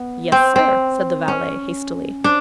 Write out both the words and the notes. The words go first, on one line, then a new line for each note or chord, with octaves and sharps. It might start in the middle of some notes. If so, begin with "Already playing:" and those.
"Yes, sir," said the valet hastily.
Already playing: B3
C4
C4
C#4
D4